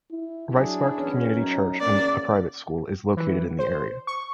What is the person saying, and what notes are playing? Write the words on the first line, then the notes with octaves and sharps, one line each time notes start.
Rispark Community Church and a private school is located in the area.
E4
F#3 D4 E4 G#4
E2 C#4
F#2 D#4
E2 A#3 C#4 D5
E3
C5
C#6